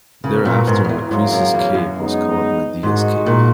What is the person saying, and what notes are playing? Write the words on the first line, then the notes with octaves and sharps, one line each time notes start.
Thereafter Macris's cave was called "Medea's Cave".
C#3 B3 F#4 A#4
A#2
G#2
F#2
E2
G#2 C#3 F#3 A#3
F#2
E2
F#2
G#3 B3 D#4
G#2 D#3 G#3 D#4 F#4
A#2